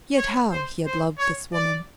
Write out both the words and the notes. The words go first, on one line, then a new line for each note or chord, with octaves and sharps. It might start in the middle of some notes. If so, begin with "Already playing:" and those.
Yet how he had loved this woman!
C#5
C5
C5
C#5
D5